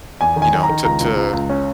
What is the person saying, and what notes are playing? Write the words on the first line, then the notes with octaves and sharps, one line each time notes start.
you know to to
E2 G#5
D#3
G#5
D#3
A#5
D#3
C#2 A#5
C#2
C#2
C#2
C#4